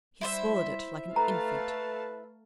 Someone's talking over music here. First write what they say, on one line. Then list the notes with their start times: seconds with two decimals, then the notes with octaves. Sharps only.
He swallowed it like an infant.
0.21 G3 E4 C5 E5
1.16 A3 B4 F5 A5 A#5